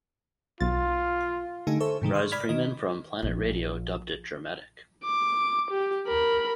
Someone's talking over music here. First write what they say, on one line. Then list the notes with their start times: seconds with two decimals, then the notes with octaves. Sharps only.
Rhys Freeman from "Planet Radio" dubbed it "dramatic".
0.60 B1 F4 A6
1.67 D3 A3 D#4 G4 G#5
1.80 A4 C5 E5 A5 C#6
2.02 G#2 C3 D#3 G#3
2.14 C6 C#6 D#6 F6
2.32 D5 B5 F6 G#6 B6
2.49 D#3 D#5
3.22 A#1 D4
5.03 D6
5.70 G4
6.07 A#4 B5